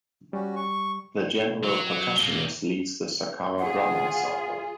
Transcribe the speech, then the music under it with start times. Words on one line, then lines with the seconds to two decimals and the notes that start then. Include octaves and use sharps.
The general percussionist leads the sakara drum ensemble.
0.33 G3 C#4 F#4
0.56 C#6
1.64 F#3
2.19 B2 A#3
3.59 F4 G#4 F#5